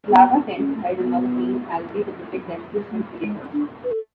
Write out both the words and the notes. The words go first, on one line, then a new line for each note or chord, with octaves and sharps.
Larva tend to hide among green algae to protect themselves from predators.
B3
C#4
A3
B3
A3
G#3
D4
B4
A4